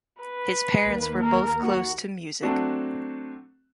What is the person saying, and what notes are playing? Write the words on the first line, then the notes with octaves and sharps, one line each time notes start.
His parents were both close to music.
B4
D#2 A#3
A#4
F#4
F#3 A3 C4 D4 F#4